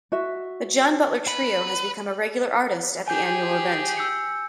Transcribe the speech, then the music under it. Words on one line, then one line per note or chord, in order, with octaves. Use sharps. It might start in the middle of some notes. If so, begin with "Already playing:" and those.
The John Butler Trio has become a regular artist at the annual event.
F#4 E5
B4
G4 G#4 G#5 G6
E6 G6 C#7